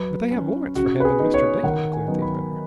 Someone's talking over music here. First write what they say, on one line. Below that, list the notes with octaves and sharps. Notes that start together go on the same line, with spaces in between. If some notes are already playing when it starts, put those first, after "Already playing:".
"But they have warrants for him and Mr. Damon," declared the inventor.
Already playing: F#3 B4
C#4
C#3 F#4
B4
G#4
B3 D#4
C#5
D#3 F#5
G#5
F#3 B3 D#4
B5